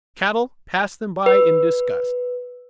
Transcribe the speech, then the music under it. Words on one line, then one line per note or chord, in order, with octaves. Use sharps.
Cattle pass them by in disgust.
B4